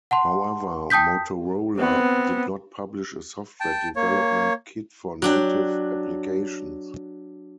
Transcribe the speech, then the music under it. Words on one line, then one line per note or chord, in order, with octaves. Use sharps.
However Motorola did not publish a software development kit for native applications.
F#5 A5 C6
G5 A5 D#6 G6 B6
B3 C4
G5 A5
A#3 C#5
F#3 D4 G5